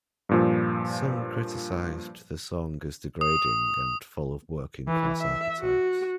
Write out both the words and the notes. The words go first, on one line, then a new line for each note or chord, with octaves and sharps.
Some criticized the song as degrading and full of working-class archetypes.
G2 A#2 F3
D#6
E3
E5
F#4